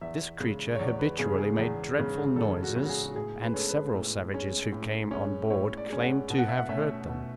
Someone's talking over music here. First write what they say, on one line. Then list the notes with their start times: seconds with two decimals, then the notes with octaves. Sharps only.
This creature habitually made dreadful noises, and several savages who came on board claimed to have heard them.
0.01 E2 E5
0.40 C#3 G#3
0.75 C#5
0.80 E2 D5
0.99 B4
1.18 C#3 G#3 G#4
1.38 G#4
1.59 E2
1.98 C#3 G#3
2.36 E2 A4
2.63 F#4
2.76 C#3 G#3
2.85 F#4
2.89 G#4
3.06 F#4
3.15 A2 G#4
3.42 B4
3.54 G#3 C#4 A4
3.68 B4
3.94 A2
4.33 G#3 C#4
4.72 A2
5.11 G#3 C#4
5.50 A2 C#5
5.77 D5
5.90 G#3 C#4
6.03 F#5
6.30 B2
6.38 F#5
6.48 E5
6.58 F#5
6.69 A3 C#4 E5
7.08 B2